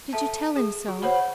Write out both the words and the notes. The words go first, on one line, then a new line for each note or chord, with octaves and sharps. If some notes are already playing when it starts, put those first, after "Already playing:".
"Did you tell him so?"
A4 E5 A5
G#4
F#4
C5 C#5 F#5 B5